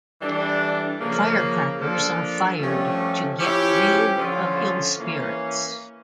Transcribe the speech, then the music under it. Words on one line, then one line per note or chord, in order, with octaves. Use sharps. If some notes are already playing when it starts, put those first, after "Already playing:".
Firecrackers are fired to get rid of ill spirits.
E3 G3 D4 A4
C#3 F3 A#3
F3 A#3 D4 F4 A4
G2 F3 A3 C#4 G4
F3 C#4 E4 G4
D3 F3 C#4 F4
E3 A#3 C#4